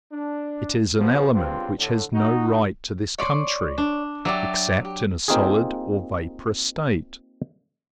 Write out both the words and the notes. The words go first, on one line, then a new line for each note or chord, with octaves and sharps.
It is an element which has no right to this country, except in a solid or vaporous state.
D4
C3 F3 F#3 B3
C#2 G2 C4 F4 C5
A2 D3
D#4 F#4
C#5 D5 C6
D4
F#3 G4 D5 E5
G4
A#3 C4 D#4 F4 G4 G#4